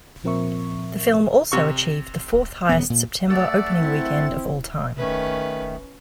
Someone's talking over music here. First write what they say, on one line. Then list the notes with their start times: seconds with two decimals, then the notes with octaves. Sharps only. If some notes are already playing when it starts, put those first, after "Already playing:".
The film also achieved the fourth-highest September opening weekend of all time.
0.24 A#2 F3 C4 A#4 E5 C#6
1.52 C3 C#6
2.69 D#1 B3
2.90 A#2
3.30 A3 D5 E5 F#5 E6 A6
3.81 C4 E4
4.97 D#3 A3 C#4 B4